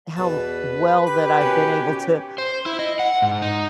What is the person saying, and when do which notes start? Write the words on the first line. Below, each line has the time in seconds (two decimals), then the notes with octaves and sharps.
how well that I've been able to
0.17 E2 B2 B4 A5
1.07 G4 B5
1.41 B2 D#3 C#4
2.38 C5
2.66 E4
2.79 D#5
2.99 F#5
3.22 G#2
3.42 D#4